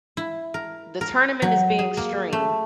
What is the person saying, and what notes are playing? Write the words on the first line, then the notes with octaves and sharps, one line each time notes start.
the tournament is being streamed
E4
A#4
A#4
F#3
G#4
A#3
A3